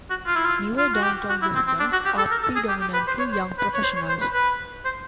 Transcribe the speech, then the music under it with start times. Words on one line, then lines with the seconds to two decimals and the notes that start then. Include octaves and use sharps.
Newer downtown residents are predominantly young professionals.
0.10 F#4
0.27 F4
0.36 E4
0.45 F4
0.78 F4
0.94 F#4
1.03 G4
1.29 F#4
1.42 E4
1.55 C4
1.67 C4
1.80 D4
1.92 F#4
2.05 G4
2.18 A4
2.31 A#4
2.43 A4
2.56 G#4
2.69 G4
2.81 G4
2.94 B4
3.07 C5
3.19 C#5
3.32 C5
3.58 B4
3.74 C#5
3.84 C5
3.96 C#5
4.09 C5
4.21 B4
4.34 B4
4.85 C5